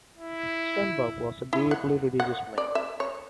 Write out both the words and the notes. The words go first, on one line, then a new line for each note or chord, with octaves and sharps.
Sternberg was a deeply religious man.
E4
E4
F#5
F#5
D5
E5
C#5